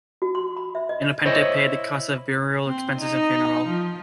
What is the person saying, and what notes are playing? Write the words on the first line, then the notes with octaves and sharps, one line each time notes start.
Independiente paid the costs of burial expenses and funeral.
F#4
C6
B5
E5
D#5
E4 C5 C#5 D#5
C4
D#4
F3